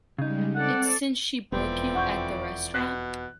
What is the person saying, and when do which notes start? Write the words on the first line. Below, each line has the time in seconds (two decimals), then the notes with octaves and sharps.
It’s since she broke you at the restaurant?
0.18 C#3 G3 G#3 D#4
0.55 C4 A4 D5 F#5
1.52 E1 F2 E3 B3 C4 D5
1.95 F#5 C#6 G6
2.74 B2 F#6